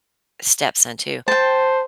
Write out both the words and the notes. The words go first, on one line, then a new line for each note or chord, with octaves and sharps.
stepson too,
C5 G5 A5